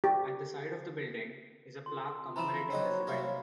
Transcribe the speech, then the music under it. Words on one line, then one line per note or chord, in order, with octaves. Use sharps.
At the side of the building is a plaque commemorating this event.
G4
F4 C6
E3 F3 A#5 B5 E7
F#3 C4 D#4 F#4 C#5
C3 G3 A#3